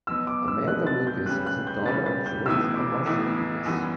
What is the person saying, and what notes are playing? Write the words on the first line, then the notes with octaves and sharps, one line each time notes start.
Amanda Lucas is the daughter of George and Marcia Lucas.
B2 F#3 B3 E6
D6
E6
B2 F#3 B3 F#6
A6
G6
C#3 G3 C#4 G4 B4 F#6
F#6
G6
C#3 G3 C#4 G4 B4 A6
A6
G6
B1 A2 E3 B3 E4 E6
D6
B1 A2 E3 B3 E4
F#2 E3 G3 B3 F#4